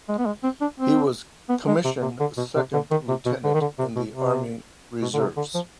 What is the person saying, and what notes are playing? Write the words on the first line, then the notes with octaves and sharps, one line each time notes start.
He was commissioned second lieutenant in the Army Reserves.
G#3
B3
G#3
C4
D4
C4
B3
G#3
C3
C3
D3
B2
C3
D3
D#3
C3
B2
D3
D#3
D3
C3
B2
C3
B2
D3
C3
D3
F3